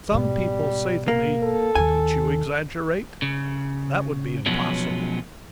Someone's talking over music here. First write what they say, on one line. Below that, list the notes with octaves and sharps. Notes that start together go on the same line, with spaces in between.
Some people say to me, "Don't you exaggerate?" That would be impossible.
G#2 B2 G3
A#3
A4
D#2 D#3 G#5
C#3
B2 F3 F#3 G#3 B3 C#4